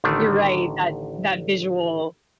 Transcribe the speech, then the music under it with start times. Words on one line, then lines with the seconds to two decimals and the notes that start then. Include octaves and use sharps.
You're right, that that visual
0.04 A1 D3 D#3 A3